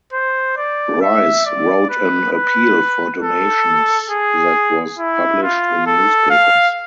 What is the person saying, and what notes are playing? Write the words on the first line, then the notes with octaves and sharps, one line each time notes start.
Rice wrote an appeal for donations that was published in newspapers.
C5
D5
E5
D5
B4
B4
A4
G#4
E4
F4
A4
F5